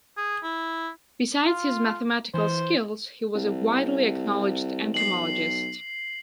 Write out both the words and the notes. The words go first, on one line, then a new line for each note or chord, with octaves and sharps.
Besides his mathematical skills he was a widely acknowledged entomologist.
G#4
E4
F4
E3 C5
C2
B1 C7 F#7